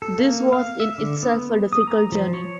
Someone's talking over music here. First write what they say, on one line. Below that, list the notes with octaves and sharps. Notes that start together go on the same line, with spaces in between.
This was in itself a difficult journey.
A4
A#3
F5
E5
D3
B3
D#6
A#5
F3
C#5